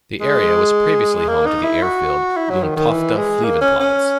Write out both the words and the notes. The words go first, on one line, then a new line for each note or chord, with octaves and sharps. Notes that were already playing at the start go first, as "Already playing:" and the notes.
The area was previously home to the airfield Lundtofte Flyveplads.
G#3
A#3
D#4
E4
F#4
E4
F#3
D#3
D#3
E3
G#3
A#3
C#4
C#4